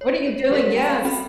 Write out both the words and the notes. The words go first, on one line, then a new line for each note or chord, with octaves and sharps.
What are you doing? Yes.
C#5
C#5
G3 G4 A#4 C#5 D5 B6
G5 B5
F5
C4 C#4 F#4 A4 G5 B5